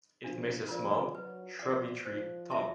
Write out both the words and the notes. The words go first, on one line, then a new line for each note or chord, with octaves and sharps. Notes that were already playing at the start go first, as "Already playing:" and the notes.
It makes a small, shrubby tree tall.
F3 D4
F3 F4 A#4 D5
F#3 B4
F3 D5 F#5
F3 C5
E5 A5 C6